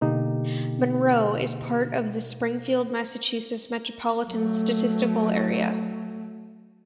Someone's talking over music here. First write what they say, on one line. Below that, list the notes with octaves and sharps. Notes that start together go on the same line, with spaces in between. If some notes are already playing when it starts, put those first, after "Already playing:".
Monroe is part of the Springfield, Massachusetts Metropolitan Statistical Area.
B2 D3 A#3 D#4 G4
F#3 A3